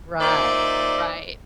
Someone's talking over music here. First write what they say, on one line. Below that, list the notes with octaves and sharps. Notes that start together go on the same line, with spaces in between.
Right, right.
A#2 D#4 C5 D5 E5